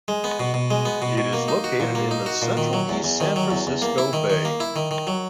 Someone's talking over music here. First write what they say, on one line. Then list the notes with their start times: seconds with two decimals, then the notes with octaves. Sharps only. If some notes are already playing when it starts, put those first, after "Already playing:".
It is located in the central East San Francisco Bay.
0.08 G#3
0.24 B3
0.40 B2
0.54 B2
0.71 G#3
0.85 B3
1.02 B2
1.18 B2
1.33 A#3
1.48 D#4
1.64 F#4
1.80 A#2
1.95 A#3
2.11 D#4
2.26 F#4
2.42 A#2
2.57 D#3
2.73 F#3
2.89 E2
3.04 E2
3.20 D#3
3.36 F#3
3.51 E2
3.67 E2
3.82 A#3
3.98 E4
4.13 D#3
4.30 D#3
4.45 A#3
4.60 E4
4.76 D#3
4.91 D#3
5.07 F#3